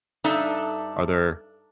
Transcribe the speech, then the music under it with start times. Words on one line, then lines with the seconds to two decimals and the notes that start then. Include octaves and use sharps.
are there
0.24 G2 D4 D#4 A4 E5